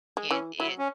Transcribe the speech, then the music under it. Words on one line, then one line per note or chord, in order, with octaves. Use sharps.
It it
G#3
E3 C#4
F#3 E4
C#4